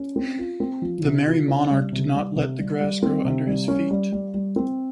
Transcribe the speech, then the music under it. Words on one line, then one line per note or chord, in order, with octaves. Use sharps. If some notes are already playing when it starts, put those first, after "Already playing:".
The Merry Monarch did not let the grass grow under his feet.
Already playing: C#4
C4
F4
C4
F3
C3
F4
C#4
G3
C3
G3
C3
G3
G3
C4
C3
G3
C#4
G3
G3
G3
C4